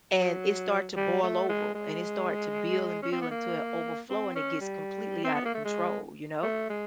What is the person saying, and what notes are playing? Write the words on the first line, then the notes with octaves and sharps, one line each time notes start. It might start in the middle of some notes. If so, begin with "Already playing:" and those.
and it start to boil over, and it start to build, and build until it overflow, and it gets completely out of control, you know.
F#3
G3
A3
G#3
G#3
C#4
C4
B3
A#3
C4
C#4
G3
C4
B3
A#3
A3
G#3
A3
G#3